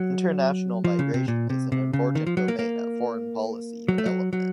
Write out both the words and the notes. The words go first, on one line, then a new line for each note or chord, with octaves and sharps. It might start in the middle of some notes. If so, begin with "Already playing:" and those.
International migration is an important domain at foreign policy development.
Already playing: F#3
F3
C#3
C3
A#2
C3
C3
C#3
D#3
F3
F#3
A#3
A#3
F#3
A3
F#3
F#3